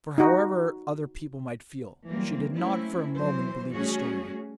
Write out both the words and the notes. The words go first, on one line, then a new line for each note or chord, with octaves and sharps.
For, however other people might feel, she did not for a moment believe his story.
D#4 F#4
E3 F#3 G3 A#3 C4
A3 A#3 C4 C#4 E4
E3 F#3 C5
G3 A3 C#4 F#4 G#4